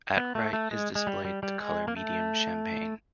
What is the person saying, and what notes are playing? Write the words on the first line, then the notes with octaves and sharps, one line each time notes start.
At right is displayed the color medium champagne.
B3
A3
A3
G#3
G#3
G3
G3
G3
G#3
A#3
A3